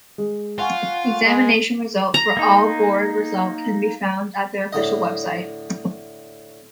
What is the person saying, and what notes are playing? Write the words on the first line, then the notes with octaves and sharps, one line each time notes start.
Examination result for all board result can be found at their official website.
G#3
F4 F#5 G#5 C#6
G#3
A#5
A#3 D#4
A2 D3 D#5